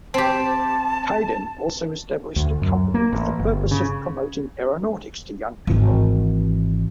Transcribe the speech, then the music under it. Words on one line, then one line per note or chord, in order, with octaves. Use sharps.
Caidin also established a company with the purpose of promoting aeronautics to young people.
C4 G4 A5
D2
F#2
A#3
A1
G1
C#3
G#1 E3